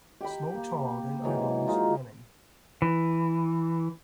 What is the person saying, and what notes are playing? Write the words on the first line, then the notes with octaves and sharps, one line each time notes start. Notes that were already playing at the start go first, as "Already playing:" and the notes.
A small child in overalls running.
G4 G5 B5
A#3
G#2 E3 F#3 A#5
G#3 D#4 F4
E3